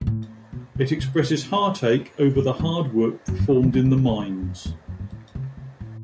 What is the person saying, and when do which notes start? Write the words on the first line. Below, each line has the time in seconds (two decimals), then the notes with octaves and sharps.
It expresses heartache over the hard work performed in the mines.
0.01 B2
0.07 A2
0.53 B2
0.75 C3
0.99 C3
1.22 B2
2.36 G2
2.60 G2
3.28 F#2
3.39 G2
3.51 E3
3.63 E3
3.74 F#3
3.85 E3
3.97 D#3
4.09 B2
4.20 G2
4.42 F#2
4.66 E2
4.88 F#2
5.00 G2
5.12 A2
5.35 C3
5.57 C3
5.81 A2